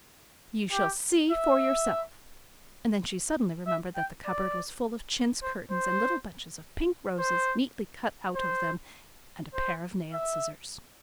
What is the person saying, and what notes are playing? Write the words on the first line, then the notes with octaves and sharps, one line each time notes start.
"You shall see for yourself"--and then she suddenly remembered that the cupboard was full of chintz curtains and little bunches of pink roses, neatly cut out of them, and a pair of nail scissors.
G4
E5
E5
G5
D5
C5
C5
C5
C5
C5
E5